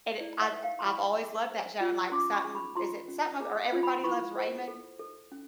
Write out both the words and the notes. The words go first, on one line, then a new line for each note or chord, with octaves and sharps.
And it I've s I've always loved that show and, like, something is it something of or Everybody Loves Raymond?
E4 D5
E5 F#5
B4
F5 G5
C6
E4 B5 C#6
G#4
C5
F4
C#4 C6 D6
C#6 D#6
G#4
B5 C#6
F4 A#5 C6
C#4
G#4
F4
B5
C6
E4 B5 C#6
C5
A4
A4
C#4